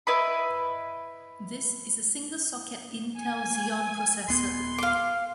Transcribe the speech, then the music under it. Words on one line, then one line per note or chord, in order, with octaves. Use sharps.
This is a single-socket Intel Xeon processor.
E4 B4 D#5 B5
G#5
D#1 B3 C6
F5 D6